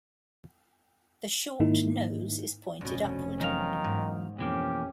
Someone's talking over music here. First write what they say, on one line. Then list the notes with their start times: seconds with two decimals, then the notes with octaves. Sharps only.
The short nose is pointed upward.
1.60 G#2 D#3 A#3 D#4 E4
2.81 F1 D2 B2 C#4
3.40 E2 D#3 F#3 D#4 A#4 F5
3.84 G#2
4.38 F2 B2 E3 A#3 C#4 G4